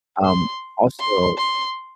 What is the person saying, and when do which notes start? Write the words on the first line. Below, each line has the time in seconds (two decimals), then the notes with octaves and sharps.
um, also
0.25 C6
1.00 C6
1.37 C6